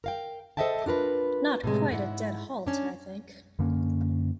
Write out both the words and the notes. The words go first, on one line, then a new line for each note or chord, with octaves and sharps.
Not quite a dead halt, I think.
A#4 F5 G5
A4 C5 D#5 E5 G5 A5
D4 F4 A#4 B4
A2 C3 G#3
G#2 E4 F#5
C#4 D4
F#2 D3 A#3 C#4